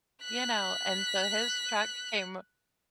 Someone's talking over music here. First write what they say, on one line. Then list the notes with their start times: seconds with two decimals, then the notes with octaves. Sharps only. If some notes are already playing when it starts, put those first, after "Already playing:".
You know? And, so, his truck came
0.24 F#6 B6